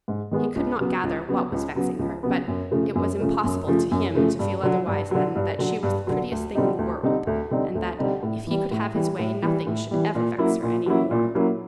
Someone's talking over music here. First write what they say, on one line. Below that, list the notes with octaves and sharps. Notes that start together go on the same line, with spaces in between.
He could not gather what was vexing her, but it was impossible to him to feel otherwise than that she was the prettiest thing in the world, and that if he could have his way, nothing should ever vex her any more.
G#2
D#3 G#3 B3
C#2
C#3 F#3 B3
C#2
C#3 F#3 B3
C#2
C#3 F#3 B3
C#2
C#3 F#3 B3
F#2
C#3 F3 A3
F#2
C#3 F3 A3
F#2
C#3 F3 A3
F#2
C#3 F3 A3
G2
D3 F#3
G2
D3 F#3
G2
D3 F#3
G2
D3 F#3
D2
D3 G3 C4 D#4
D2
D3 G3 C4 D#4
D2
D3 G3 C4 D#4
D2
D3 G3 C4 D#4
A2
E3 G3
A2
E3 G3
A2
E3 G3
A2
E3 G3
A#2
F#3 A#3 C#4 E4
A#2
F#3 A#3 C#4 E4
A#2
F#3 A#3 C#4 E4